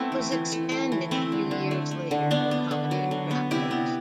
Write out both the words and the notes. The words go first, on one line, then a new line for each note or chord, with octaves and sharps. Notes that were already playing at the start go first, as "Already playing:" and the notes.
It was expanded a few years later to accommodate travelers.
Already playing: A3 B3 C4 E4
E3
E3
A3
A3
E3
A3 C4 E4
D3
D3
A3
A3
D3
D3 B3 D4
B3
D3
F#3
D3
B3
C3 E4 G4
B3